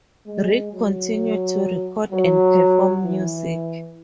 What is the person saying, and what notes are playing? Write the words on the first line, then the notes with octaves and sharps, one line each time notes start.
Rick continued to record and perform music.
G#3
F#3
F#3
E3